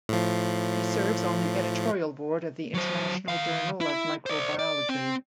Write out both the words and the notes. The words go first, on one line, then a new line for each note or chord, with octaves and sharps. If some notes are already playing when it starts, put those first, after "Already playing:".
He serves on the Editorial board of the International Journal of Microbiology.
A2 F3
F#3 C5
D#3 F5
E4
C5 D5
D5
C4